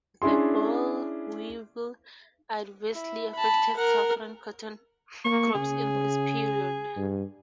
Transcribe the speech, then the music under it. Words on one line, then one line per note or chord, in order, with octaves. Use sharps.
The boll weevil adversely affected southern cotton crops in this period.
C#4 D4 E4 G#4 C6
E4
A5 B5
A#4 F#5
A#3 C#6
C#3 G#4
G2